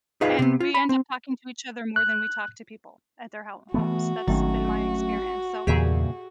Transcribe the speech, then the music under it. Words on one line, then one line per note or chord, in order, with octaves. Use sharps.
And we end up talking to each other more than we talk to people at their ho homes. That's been my experience, so
D#4 F4 G#4 B4 F5
C3 C4
F4
B5
C4
F#6
E3 A3 B3 F#4
G#1 D#3 F#3 A3 C#4
E2 G2 A#2 C#3 G4 G#4 E5